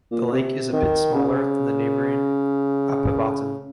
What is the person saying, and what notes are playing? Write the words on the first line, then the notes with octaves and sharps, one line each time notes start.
The lake is a bit smaller than the neighbouring Apavatn.
A#2
C3
D#3
C#3